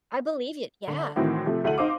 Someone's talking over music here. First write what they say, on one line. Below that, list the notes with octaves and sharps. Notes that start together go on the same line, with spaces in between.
I believe it, yeah.
D3
A2 D#3 E3 C4 F#4
C3 F3 A3
D2 A3 E4 F#5 D#7 F#7
D#4 C5 F5 D6